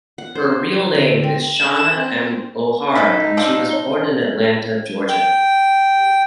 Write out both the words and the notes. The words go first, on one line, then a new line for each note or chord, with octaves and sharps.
Her real name is Shana M. O'Hara, and she was born in Atlanta, Georgia.
F#5
C5
D3
C4
E7
C4
D#4 E4 F#4 A4 B6
F3 D4 E6
C#5 G7
G5